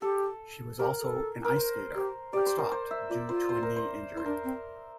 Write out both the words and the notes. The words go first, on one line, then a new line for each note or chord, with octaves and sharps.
She was also an ice skater, but stopped due to a knee injury.
G4 A4
G4 A#4
A4
A#4
C5
G4
G4 D5
C5
A#4
C5
E5
F4 D5
F4 C5
C5
A#4
C5
E4 C5
D4 A#4
C4